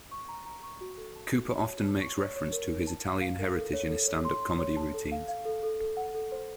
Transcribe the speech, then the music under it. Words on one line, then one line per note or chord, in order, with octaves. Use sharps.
Cooper often makes reference to his Italian heritage in his stand up comedy routines.
C#6
A#5
A#5
C#6
F#4
A4
A5
F#4
C#5
C#5
A5
C#6
C#5
C#5
A#4
D#4
A5
F5
F5
A#4
A4
C#5
A4
C#5
C6
C6
C#5
A5
A4
F5
F5
A4
A4
A4
F#5
A4
C5